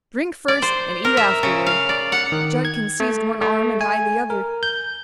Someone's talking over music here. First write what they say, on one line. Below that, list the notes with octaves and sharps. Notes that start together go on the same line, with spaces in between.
"Drink first and eat afterward." Judkins seized one arm and I the other.
D5
C5
A#4
E5
C#3
F5
D5
F#5
D#3
G#6
A3
A3
G#5
A#4
G6